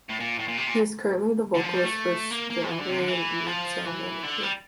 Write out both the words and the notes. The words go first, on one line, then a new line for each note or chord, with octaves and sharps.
He is currently the vocalist for Strangler Needsa Manicure.
A2
A#2
A2
A#2
C3
A#2
D3
F3
G3
A3
A#3
A#3
E3
D3
C3
D3
E3
F3
E3
D3
G3